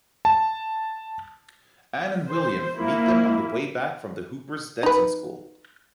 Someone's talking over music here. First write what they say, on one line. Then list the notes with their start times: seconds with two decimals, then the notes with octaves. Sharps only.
Anne and William meet them on the way back from the Hoopers' dancing school.
0.25 A5
2.28 C5
2.76 A#3 E4
4.83 D#4 B4